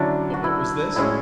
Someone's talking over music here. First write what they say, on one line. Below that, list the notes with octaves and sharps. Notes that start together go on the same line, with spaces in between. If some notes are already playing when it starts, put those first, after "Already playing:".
But what was this?
Already playing: D3 F#3 C#4 D4 E4
F#4
E4
A2 G#3 C#4 E4